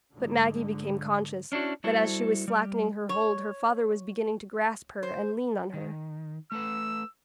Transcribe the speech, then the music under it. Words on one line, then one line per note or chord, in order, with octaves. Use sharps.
But Maggie became conscious that as she was slackening her hold her father was beginning to grasp her and lean on her.
G#2 D3 G#3
C#4 D4 E4 F#4
G3 E4 F#4 A4 C5 E5
G3 G4
C#5
C5
D#3
A3 A4 B4 E6